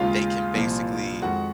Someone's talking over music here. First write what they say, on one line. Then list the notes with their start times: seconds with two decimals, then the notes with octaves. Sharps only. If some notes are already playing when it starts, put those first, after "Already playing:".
they can basically,
Already playing: D#2 C#3 G#3 F4 F5
0.54 C2 A#2 F3 A#3
1.22 F2 D#3 G#3 F#4 F#5